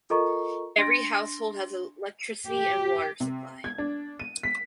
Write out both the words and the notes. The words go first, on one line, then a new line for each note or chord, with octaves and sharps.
Every household has electricity and water supply.
F4 A4 A#4 D#5 A#5 C#6
D4 C6 A6 A#6 D7
G4
C3
G#6
D4
D#7
B6